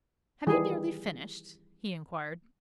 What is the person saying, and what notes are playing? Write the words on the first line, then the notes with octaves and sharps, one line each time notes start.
"Have you nearly finished?" he inquired.
D#3 E3 G3 G#4